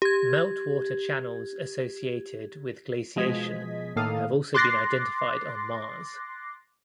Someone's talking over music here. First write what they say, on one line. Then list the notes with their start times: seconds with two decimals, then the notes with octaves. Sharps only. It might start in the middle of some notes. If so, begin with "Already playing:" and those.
Meltwater channels associated with glaciation have also been identified on Mars.
0.02 G4 G#6
3.16 B2 F3 G#3 D#5 G#6 B6
3.96 A2 D#3 A#3 A4 F5 D#6
4.55 C6 D6 F#6 A6 A#6 C7